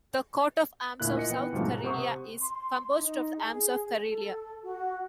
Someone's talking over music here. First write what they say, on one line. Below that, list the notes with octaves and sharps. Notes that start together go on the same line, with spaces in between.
The coat of arms of South Karelia is composed of the arms of Karelia.
D2 A#2 E4 A#4 F#6
F4 D#5 C#7
E3 B3 G5
D2 G#2 B2 F3 G3 A3
A#5
C3 C5 F#5 C#6 D#6
C6
D#4
G#4
A4
F#4